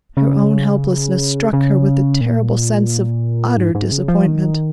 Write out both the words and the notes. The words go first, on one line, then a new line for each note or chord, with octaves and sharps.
Her own helplessness struck her with the terrible sense of utter disappointment.
C#3
C#3
A#2
G#2
G#2
C#3
F3
D#3